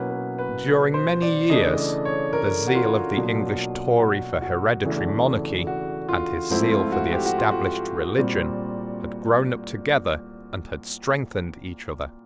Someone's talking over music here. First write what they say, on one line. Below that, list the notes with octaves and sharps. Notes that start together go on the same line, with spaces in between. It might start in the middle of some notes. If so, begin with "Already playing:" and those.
During many years the zeal of the English Tory for hereditary monarchy and his zeal for the established religion had grown up together and had strengthened each other.
Already playing: B2 F#3 A#3 C#4 E4 B4
B4
B4
C5
D5
C#3 E3 A3 D4 D#5
D5
C#5
A#4
F#4
F4
B2 F#3 A#3 D4
F#4
F#4
E2 C#3 E3 A3 D4
F#4
F4
G#2 F3 A3 C4 E4
F4
F#4
G4
F#4
F4
F#4
A#2 G3 C4